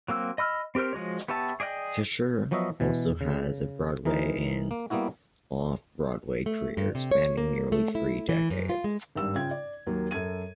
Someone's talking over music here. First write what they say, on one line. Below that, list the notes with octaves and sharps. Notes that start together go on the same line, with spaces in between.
Fisher also has a Broadway and off-Broadway career spanning nearly three decades.
F#3 A#3 C4 E6
D#5 B5 E6 F6
C4 G4 A#4 C5 F6
F3 G#3 F#4 C#5
B3 G4 C#5 E5 A5
G#4 D5 D#5 F5 G5
F3 F#3 B3 F#4 D#5 E5
B2 E3
C#3
E3 D#4 A#4
A#3
G3 A#3 B3 E4 F#4
A3
G2
C3
C#5
A#3
A3
E4
E3
F#2
F4
G#3
G#1 G2 G3 E6
C#3 F4 G5 G#6
D5
D#2 F#3 A#3
F#2 A4 G#6 D#7